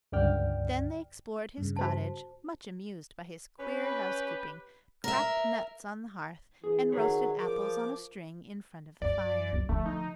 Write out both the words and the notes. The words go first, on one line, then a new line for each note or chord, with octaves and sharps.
Then they explored his cottage, much amused by his queer housekeeping, cracked nuts on the hearth, and roasted apples on a string in front of the fire.
C#2 G2 D3 D5 G5 F6
G2 C#3
F#4 C5 A5
C#4 G4 B4
A#4 E5
E3 G#4
D#3 F#3 G#4 B4 C#5
F3 A#4 D6
F#2 D5
F#2 F#3
D3 F3 A3
D#4